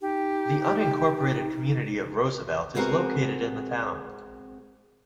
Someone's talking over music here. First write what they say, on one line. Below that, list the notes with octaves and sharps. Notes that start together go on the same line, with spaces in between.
The unincorporated community of Roosevelt is located in the town.
D#4 G4
G#3 B3 C4 F#4 G#4 A#4